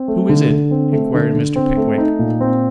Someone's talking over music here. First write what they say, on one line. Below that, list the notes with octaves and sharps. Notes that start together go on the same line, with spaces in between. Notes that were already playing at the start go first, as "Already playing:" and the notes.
'Who is it?' inquired Mr. Pickwick.
Already playing: C4
A3
D3
D3
C4
A3
D3
D3
C4
A3
D#4
A#2
C4